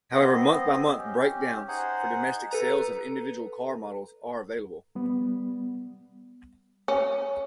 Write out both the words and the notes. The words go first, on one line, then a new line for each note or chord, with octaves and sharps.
However, month by month breakdowns for domestic sales of individual car models are available.
B3 C4 D#5
C#4 G4
D#4 G#4 C5 F#5
A4 B4 A#5
G3 B3
C#4